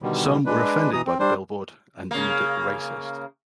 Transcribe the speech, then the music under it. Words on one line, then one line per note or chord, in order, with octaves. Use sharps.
Some were offended by the billboard and deemed it racist.
B2 D3 D#3 G3
G#3 D4 B4
B2 E3 A#5 D#6
C4
G3 D4 C5
C#3 A#3